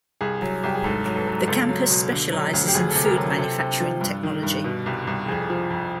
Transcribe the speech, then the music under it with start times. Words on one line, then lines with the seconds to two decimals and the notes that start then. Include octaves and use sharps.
The campus specialises in food manufacturing technology.
0.21 C2 G#4
0.42 F#3
0.63 C2 G4
0.75 G#4
0.84 G#2 A4
1.06 F#3
1.16 A4
1.27 F#3
1.47 C#2 A4
1.69 F#3
1.90 B2
2.11 D3
2.32 F#3
2.53 D2
2.68 G4
2.74 D2 G#4
2.90 A4
2.95 C3
3.06 A#4
3.17 F#3
3.38 C3 A4
3.60 C3
3.80 F3
4.01 G2
4.23 D#3
4.43 G2
4.64 B2
4.86 C2
5.07 C2
5.28 F2 G#4
5.50 F3
5.70 F2